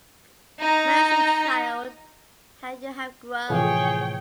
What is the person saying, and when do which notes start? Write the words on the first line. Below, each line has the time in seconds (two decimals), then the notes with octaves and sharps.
Mercy, child, how you have grown!
0.59 D#4 A#5
3.50 A2 C3 E3 F3 G#4 C#5 G5